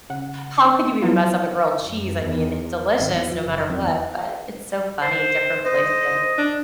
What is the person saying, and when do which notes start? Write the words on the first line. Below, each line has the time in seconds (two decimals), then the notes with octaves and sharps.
"How could you even mess up a grilled cheese?" I mean, delicious no matter what, but it's so funny. Different places
0.10 C#3 F#5
1.02 F3 F#3 B3 E4 F4
1.80 F#2
2.24 E2
3.00 G#1
3.12 E2
3.32 F3
3.45 F#1
3.70 F2
3.83 E2
5.02 C5
5.65 C5 D#5
6.38 D4